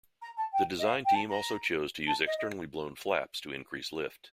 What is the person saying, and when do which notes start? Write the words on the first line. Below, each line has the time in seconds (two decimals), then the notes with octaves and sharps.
The design team also chose to use externally blown flaps to increase lift.
0.22 A#5
0.37 A5
0.53 G5
0.79 D#5
0.84 F5
1.05 G5
1.15 A5
1.29 A#5
2.07 A5
2.27 D#5
2.38 D#5